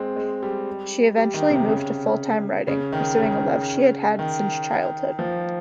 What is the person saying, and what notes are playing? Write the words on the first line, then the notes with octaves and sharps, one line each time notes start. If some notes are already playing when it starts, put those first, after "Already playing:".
She eventually moved to full-time writing, pursuing a love she had had since childhood.
Already playing: G#3 C4
G#3
G3
G3
D#3
C3
C#3
C#3
D#3
C#3
D#3
F3